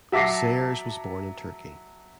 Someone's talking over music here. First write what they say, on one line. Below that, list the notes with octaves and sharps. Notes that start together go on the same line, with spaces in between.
Sayers was born in Turkey.
F#3 E5 A5 D6 A#6 C7